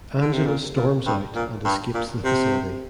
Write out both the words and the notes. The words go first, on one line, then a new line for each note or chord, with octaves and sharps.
Angela storms out and escapes the facility.
D3
C3
A#2
A#2
G2
A#2
G2
A#2
C3